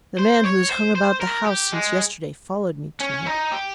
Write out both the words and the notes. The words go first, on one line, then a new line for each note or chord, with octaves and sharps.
"The man who has hung about the house since yesterday followed me to-night."
C5
C#5
C5
C5
A#4
G4
G#3
C#4
D#4
G4